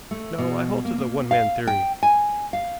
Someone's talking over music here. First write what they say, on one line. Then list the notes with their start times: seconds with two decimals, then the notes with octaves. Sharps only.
"No, I hold to the one man theory."
0.11 A3
0.38 B2
0.85 A#3
0.98 A#3
1.31 F5
1.67 G5
2.03 G#5
2.53 F5